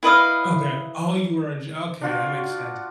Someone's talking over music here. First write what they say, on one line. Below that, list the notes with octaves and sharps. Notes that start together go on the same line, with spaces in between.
Okay. Oh, you were a jour okay, that makes sense.
E4 B4 D#5 F5
D4 F4 F#4